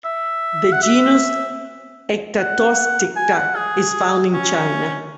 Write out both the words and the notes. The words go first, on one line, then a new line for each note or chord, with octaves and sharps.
The genus "Ectatosticta" is found in China.
E5
F#5
E5
F#5
G#5
F#5
G#4
C#4